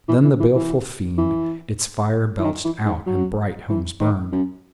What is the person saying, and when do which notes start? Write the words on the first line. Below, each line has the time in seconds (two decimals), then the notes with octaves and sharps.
THEN the baleful fiend its fire belched out, and bright homes burned.
0.09 E3
0.24 E3
0.40 E3
0.55 E3
1.18 E3
2.39 E3
2.44 D#3
2.65 E3
2.85 G#2
3.06 F#3
3.70 E3
4.00 D#3
4.32 F#2